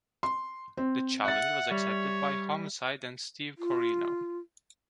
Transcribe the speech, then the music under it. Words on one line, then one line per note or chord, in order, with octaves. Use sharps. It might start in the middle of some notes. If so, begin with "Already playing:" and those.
The challenge was accepted by Homicide and Steve Corino.
C6
C4
E5 F#5 A6
G3 C#5
F4